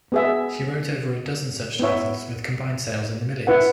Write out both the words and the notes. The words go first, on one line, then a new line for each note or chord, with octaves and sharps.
She wrote over a dozen such titles with combined sales in the millions.
B3 G#4 E5
B3 E4 C#5 E5
E4 B4 F#5